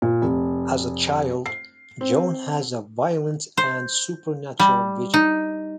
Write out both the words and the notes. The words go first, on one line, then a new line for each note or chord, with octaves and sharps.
As a child, Joan has a violent and supernatural vision.
A#2
F1
C7
C4
C5
G3
D#4